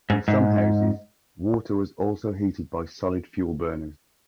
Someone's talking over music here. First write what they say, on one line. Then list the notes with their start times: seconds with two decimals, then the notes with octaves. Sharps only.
In some houses water was also heated by solid fuel burners.
0.10 G#2
0.28 G#2